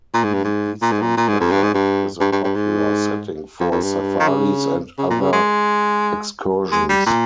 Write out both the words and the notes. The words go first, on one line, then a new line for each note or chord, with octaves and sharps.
The Eastern Desert is a popular setting for safaris and other excursions.
A#2
G#2
G2
G#2
A#2
G#2
A#2
A#2
G#2
F2
G2
G#2
G2
G2
G2
G2
G#2
F2
F2
G2
D#3
C#3
C#3
A#2
C#3
G#3
G#3
G3
A#2